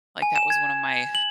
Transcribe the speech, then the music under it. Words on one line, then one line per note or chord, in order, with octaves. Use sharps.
like, that was one of my
G#5
E7
G#6
F#7